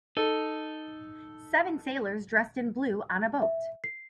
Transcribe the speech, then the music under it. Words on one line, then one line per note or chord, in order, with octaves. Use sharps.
Seven sailors dressed in blue on a boat.
D#4 A4
E5
C7